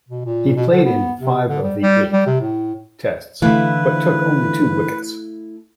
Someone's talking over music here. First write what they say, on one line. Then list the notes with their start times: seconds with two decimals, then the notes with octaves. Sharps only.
He played in five of the eight Tests but took only two wickets.
0.09 B2
0.25 A#2
0.56 B2
0.71 D3
0.85 B3
1.20 C3
1.47 D3
1.63 G3
1.82 G3
2.12 G3
2.26 C3
2.41 A2
3.42 D3 E3 A3 E4 B4 F5